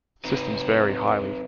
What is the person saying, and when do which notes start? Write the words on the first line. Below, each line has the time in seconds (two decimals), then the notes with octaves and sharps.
Systems vary highly.
0.25 C4 D#4 B4